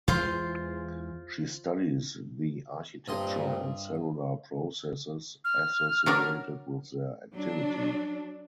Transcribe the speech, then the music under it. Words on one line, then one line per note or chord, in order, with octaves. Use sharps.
She studies the architecture and cellular processes associated with their activity.
E2 E3 G#3 F4 C5 C6
G2 A#2 G3 C4 D#5 C6
F6
F#3 D4 A#4
F#3 D4